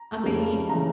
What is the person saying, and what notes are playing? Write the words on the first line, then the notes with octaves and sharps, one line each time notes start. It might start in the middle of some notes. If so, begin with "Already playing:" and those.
I mean,
Already playing: A#5
F2 C#3 G3
C#3 E3 A3 A#5